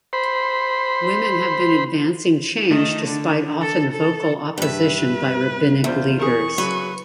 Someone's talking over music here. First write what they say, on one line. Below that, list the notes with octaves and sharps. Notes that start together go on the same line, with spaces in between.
Women have been advancing change despite often vocal opposition by rabbinic leaders.
C5 B5
D#3 A3
D3
A4
A4
G2 B4 E5
E2 F4 C5 E5
G#4 A#4 C#6
C#3 F#3 B4